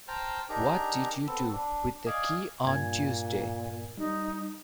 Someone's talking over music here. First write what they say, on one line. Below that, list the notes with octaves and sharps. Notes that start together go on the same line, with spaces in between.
What did you do with the key on Tuesday?
C5 G5 A5 A#5 F6
D4 D#4 G4 G#4 A#4 A#5
B3 C4 A4
D4
D5 D#5 F5 G#5
G2 A#2 G#5 G#6
G3 D#4